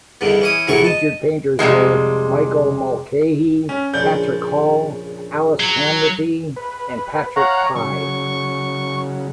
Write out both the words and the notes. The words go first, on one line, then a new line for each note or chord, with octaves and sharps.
The featured painters were Michael Mulcahy, Patrick Hall, Alice Hanratty and Patrick Pye.
E2 G2 D3 D#3
E3 C#4 D#6
E2 A2 C3 E3 F#3 C#6
D#5 A5
F2 C3 G3 G#3
C#4
A#1 C#3 D4 G6
F#3
B4
C#5 F5 F#5 A#5
C#3 F#3 C#6